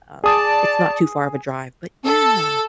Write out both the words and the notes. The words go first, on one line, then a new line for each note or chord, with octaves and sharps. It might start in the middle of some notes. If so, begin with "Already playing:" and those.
um, it's not too far of a drive but yeah.
G#4 D5 A5 D#6
A4